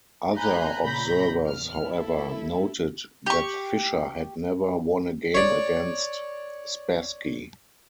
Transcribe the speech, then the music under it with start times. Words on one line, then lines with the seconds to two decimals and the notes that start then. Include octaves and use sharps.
Other observers, however, noted that Fischer had never won a game against Spassky.
0.35 G#5 A#5 B5 F#6 G6
0.81 A#2 C#3 A#5 B5 G6 A#6
1.48 E2 F6
1.82 E4 A4
3.26 G4 C#6
5.34 C#5 D5